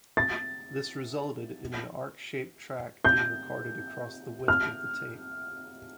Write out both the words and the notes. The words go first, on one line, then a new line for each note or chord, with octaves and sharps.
This resulted in an arc-shaped track being recorded across the width of the tape.
A6
G6
F6